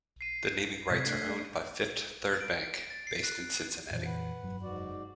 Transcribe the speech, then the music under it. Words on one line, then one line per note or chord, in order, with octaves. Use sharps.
The naming rights are owned by Fifth Third Bank, based in Cincinnati.
C7 D#7
G#2 C3 G3 G#6 B6
A3 D4 F#6 G6
D7
A6
C7
F#6
F2 A#2 C#3 E3 F3
B4 F#5
F1 G2 F#3
G#2 F#4 D5